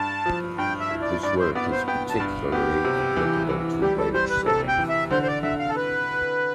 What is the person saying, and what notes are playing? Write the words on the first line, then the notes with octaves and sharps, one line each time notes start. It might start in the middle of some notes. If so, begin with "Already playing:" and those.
This work is particularly applicable to wage setting.
Already playing: G2 A5
F3
G2 G5
E5
E4
D5
G2 D5
C5
B3 D5
C5
B3 G5
A5
G2
B3 G4
C3
E3
E3
G3 G4
A4
G3 C5
B4
C3 A4
G5
E3
E5
D3 C5
C5
D5
D3 E5
F5
A4
B4